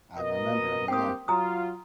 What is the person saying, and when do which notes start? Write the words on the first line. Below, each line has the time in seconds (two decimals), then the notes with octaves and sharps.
I remember, yeah.
0.16 B2 A#4 D#5
0.88 A#3 C4 G4 G5 D#6
1.28 F#3 F4 A#5 D#6